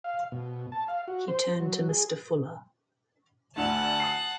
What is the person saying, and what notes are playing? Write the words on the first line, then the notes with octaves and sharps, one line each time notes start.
He turned to Mr. Fuller.
F5
B2
A5
F5
F#4
C5
F#3
G#4
D2 D3 A3 F#5 A5
D#6 C7